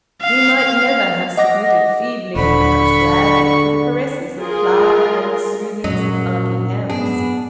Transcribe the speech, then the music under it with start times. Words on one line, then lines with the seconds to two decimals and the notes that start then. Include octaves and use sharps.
He might never have submitted feebly and perhaps gladly to the caresses of Clara and the soothings of Auntie Hamps!
0.22 F5
1.37 D#5 F#5 D6 A#6
2.36 D#1 D3 B5 C#6
4.41 F4 G#4 A#4
5.84 F#2 A#2 F#3 A#4 D#5
6.90 G#2 B3 D4 G#4